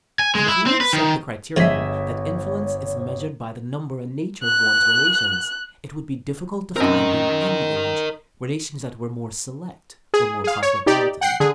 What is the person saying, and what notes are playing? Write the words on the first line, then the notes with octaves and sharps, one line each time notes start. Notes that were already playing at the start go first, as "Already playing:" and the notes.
And, if we accept the criterion that influence is measured by the number and nature of one's relations, it would be difficult to find in any age relations that were more select or more cosmopolitan.
G#5
G#3
E4
C4
B4
D#3
G1 F3 G#3 G#4 C#5 D#5 E5 B6
F#6
F#2 C4 A#4 D#5
G#4
G#4 F5
C#5
D#4 G4 D5
F#5 G5 C7
D3 G#4